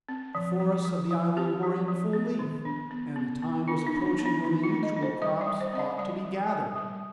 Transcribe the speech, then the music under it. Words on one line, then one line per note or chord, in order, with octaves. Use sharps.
The forests of the island were in full leaf, and the time was approaching when the usual crops ought to be gathered.
C4
F3
F3
F3
F3
C4 G4
F3
F3
B3
D#3
D4
B3
B3
B3
D4 F4
D#4
D4
D4
B3
D4
D#3 D#4
F4
D4
D#5
D4
C5
G3 D#5
D5
G3
C5
C4 D#5
D5
G3 D5
G3
G3
G3